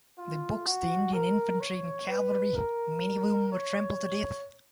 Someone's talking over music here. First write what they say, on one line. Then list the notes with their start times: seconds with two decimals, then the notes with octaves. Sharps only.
They boxed the Indian infantry and cavalry, many of whom were trampled to death.
0.18 F4
0.66 F#4
1.13 A#4
1.60 C#5
2.09 B4
2.55 A#4
3.52 C#5